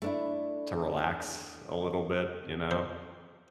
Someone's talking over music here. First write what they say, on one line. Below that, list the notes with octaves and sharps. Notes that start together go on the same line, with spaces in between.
to relax a little bit, you know?
A3 D4 E4
C5